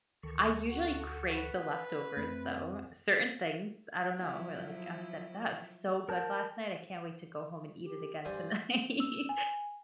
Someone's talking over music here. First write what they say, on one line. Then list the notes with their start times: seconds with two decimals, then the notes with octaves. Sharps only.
I usually crave the leftovers, though, certain things, I don't know, where, like, I said, "That was so good last night, I can't wait to go home and eat it again tonight."
0.23 D2 D#3 A4 C#6
0.69 F#4 F#5
1.31 B4
2.17 F2 A3 C4
4.18 F3 F#3 E4
6.09 A#4 A5 G6
7.84 G4
8.25 G2 C5 D5 G#5
9.00 E6
9.29 G#5